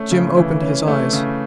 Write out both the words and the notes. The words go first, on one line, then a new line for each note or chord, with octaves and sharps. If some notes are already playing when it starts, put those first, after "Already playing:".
Jim opened his eyes.
Already playing: A3 C#4
C#3
E3
C#4
A3
C#3